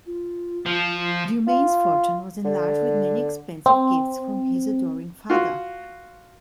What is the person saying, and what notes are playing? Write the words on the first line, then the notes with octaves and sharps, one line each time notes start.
Du Maine's fortune was enlarged with many expensive gifts from his adoring father.
F4
F3
F4
D3
C4
F4 F#4